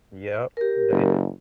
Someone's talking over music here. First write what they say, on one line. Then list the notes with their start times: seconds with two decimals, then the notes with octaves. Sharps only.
Yep, the i
0.57 G4 A#4
0.92 F#1